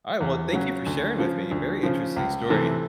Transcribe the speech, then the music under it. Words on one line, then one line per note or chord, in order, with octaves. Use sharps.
Alright, well, thank you for sharing with me, very interesting story.
E2
C#3 F#3
D2
C#3 F3
D2
C#3 F3
C#2
C3 E3 A3